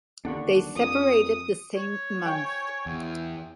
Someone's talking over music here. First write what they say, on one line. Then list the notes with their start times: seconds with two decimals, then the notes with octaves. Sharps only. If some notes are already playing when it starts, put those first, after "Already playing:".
They separated the same month.
0.25 D#2 D3 D4 F#5 C#6
0.76 F2 D#6
1.76 C#5
2.26 G5 G#5
2.86 E2